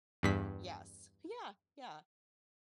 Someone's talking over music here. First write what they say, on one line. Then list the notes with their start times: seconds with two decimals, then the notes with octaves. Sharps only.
Y yes, yeah, yeah.
0.23 E2 G2 B6